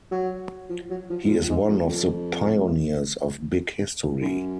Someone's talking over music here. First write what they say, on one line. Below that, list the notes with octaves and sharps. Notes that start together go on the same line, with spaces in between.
He is one of the pioneers of big history.
F#3
F3
F#3
F3
D#3
F3
G#2
F2
F2
F#2